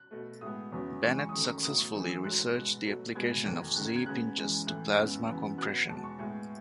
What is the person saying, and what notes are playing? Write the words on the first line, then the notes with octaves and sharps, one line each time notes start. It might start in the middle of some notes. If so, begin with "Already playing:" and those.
Bennet successfully researched the application of Z-pinches to plasma compression.
Already playing: F#6
B2 A3
A2 G#3 B3 D#6
E2 C#3 F#3 B3
F#2 C#3 E3 G#3 C#6
C#6
D#6
F#2 D#3 A3 C#6
A2 F#3 B3 D#6
C#6
C#3 E3 A3
E6
G#2 F#3 A3 F#6
B2 G#3 B3 F#6
B2 F#3 A3
B2 G#3 B3 G#6
G#6
E2 D#3 A3 F#6
F#2 D#3 A3 F#6
G#6
G#6
C#3 G#3 B3 F#6
F#2 E3 G#3
A2 E3 A3 F#6
E2 C#3 G#3 B3 E6
F#2 C#3 E3 B3
B2 F#3 B3 F#6
E2 B2 G#3 B3 A5
C#6
A2 G#3 B3 C#6